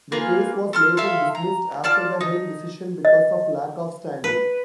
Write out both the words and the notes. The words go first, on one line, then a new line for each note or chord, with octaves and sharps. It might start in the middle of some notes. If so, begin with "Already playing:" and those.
The case was later dismissed after the Hein decision because of lack of standing.
A#3 F4 G#4 B4
A4 C6 F6
F4 A4 E5 F5
A#5
F4 D5 A5 F6
D#4
D#5
B4